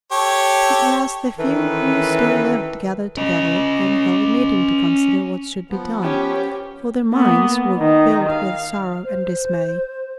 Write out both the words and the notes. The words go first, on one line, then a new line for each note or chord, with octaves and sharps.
At last the few who still lived gathered together and held a meeting to consider what should be done, for their minds were filled with sorrow and dismay.
G4 A4 C#5
D#3 E3 C#4 A4 B4
C#4 D#5
F3 B3
C#4 G4
A#3 B3
D#3 D#4
F5
C5